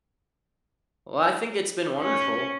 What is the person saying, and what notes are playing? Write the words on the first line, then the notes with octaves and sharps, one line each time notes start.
Well, I think it's been wonderful,
C#4